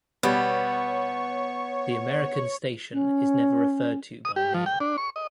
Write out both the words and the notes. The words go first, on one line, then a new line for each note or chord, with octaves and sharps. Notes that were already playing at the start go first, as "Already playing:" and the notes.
The American station is never referred to by name.
B2 G3 B3 C#5
C#4
D#6
G4
F3
G5
D4
C#6
D#5